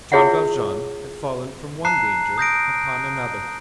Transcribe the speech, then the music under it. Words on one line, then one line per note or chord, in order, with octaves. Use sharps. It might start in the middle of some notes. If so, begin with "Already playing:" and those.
Jean Valjean had fallen from one danger upon another.
E4 F4 G#4 C#5 E5 F#5
A5 A#5 F#6 C7
D#6 G6 A#6 D7